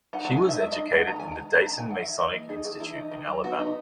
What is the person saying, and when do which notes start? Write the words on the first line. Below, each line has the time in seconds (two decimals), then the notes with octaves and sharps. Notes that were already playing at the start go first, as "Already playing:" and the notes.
She was educated in the Dayton Masonic Institute in Alabama.
0.13 D#4 F#5
0.25 F#5
0.29 G#3
0.37 G#5
0.45 D#4 E5
0.60 G#3 E5
0.72 D#5
0.76 D#4
0.92 G#3 F#5
1.07 D#3 A#5
1.19 D#3 G#5
1.32 A#5
1.39 G#3
1.55 C#4 B5
1.66 A#5
1.71 D#3
1.78 G#5
1.86 D#3 F#5
2.02 E3 E5
2.18 E3 D#5
2.34 A#3
2.49 D#4 G#4
2.65 E3 G#4
2.80 E3 E4
2.96 D#4
3.11 D#3
3.27 F#3
3.44 B3 F#4
3.59 D#4